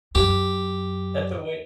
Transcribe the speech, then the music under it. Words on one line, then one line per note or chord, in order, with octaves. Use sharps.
that's the way
F#2 G4